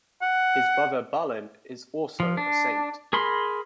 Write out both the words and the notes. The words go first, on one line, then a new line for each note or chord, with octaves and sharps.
His brother Balin is also a saint.
F#5
F3
D4
G#4 A#4 B5 C6